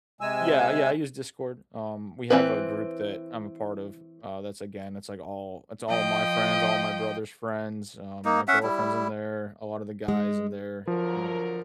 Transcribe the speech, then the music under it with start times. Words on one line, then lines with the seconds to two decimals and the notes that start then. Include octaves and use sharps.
Yeah, yeah, I use Discord. Um, we have a group that I'm a part of, uh, that's, again, it's, like, all it's all my friends, all my brother's friends, um, my girlfriend's in there, a lot of the guys in there, you know,
0.21 C3 G#3 G#5 E6
2.30 E3 C4 B4
5.88 F3 D#5 G5
8.25 A#3 D#4
8.48 C#4 E5 F#5
8.63 G3 E4
10.08 G#3
10.87 D3 F3 F#3 A#4